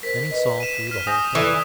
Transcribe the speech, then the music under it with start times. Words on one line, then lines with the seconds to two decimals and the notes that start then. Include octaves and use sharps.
Then he saw through the whole thing.
0.03 A#4 C5 B6
0.31 B4 D#5
0.60 D#7 E7
0.87 F6 B6
1.07 G#5 D#6 G6 A#6
1.35 E3 A4 D5 E5